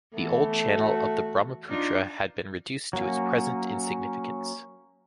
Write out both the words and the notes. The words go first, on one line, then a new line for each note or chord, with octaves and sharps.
The old channel of the Brahmaputra had been reduced to its present insignificance.
E3 A3 B3
F#4
D4 D#4 F4
F#3 A#3 C#4